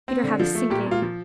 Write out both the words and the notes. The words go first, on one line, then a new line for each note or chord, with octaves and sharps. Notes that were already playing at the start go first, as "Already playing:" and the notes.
Peter had a sinking.
C4
D3
F3
A3
A#2 G4
A#2
F4
F3